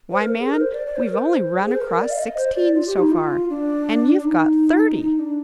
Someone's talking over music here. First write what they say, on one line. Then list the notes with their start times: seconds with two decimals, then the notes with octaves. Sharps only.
Why, man, we've only run across sixteen so far, and you've got thirty.
0.10 C5
0.21 A#4
0.40 G#4
0.49 A#4
0.61 C5
0.73 D5
0.86 D5
0.96 C5
1.05 A#4
1.15 C5
1.61 G#4
1.72 C5
1.81 A#4
1.99 D5
2.11 F5
2.18 D#5
2.37 C5
2.55 D5
2.75 F4
2.87 G4
2.99 D#4
3.11 F4
3.50 D4
4.13 D4
4.24 D#4
5.00 D#4
5.19 D4